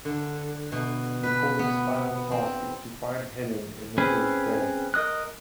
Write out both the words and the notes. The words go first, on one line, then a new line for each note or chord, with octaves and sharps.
McCormick's final task is to find Helen in the present day.
D3
B2
B4
B3
C4
C4 C#4 G#4 B4
A#4 D#5 D#6 F#6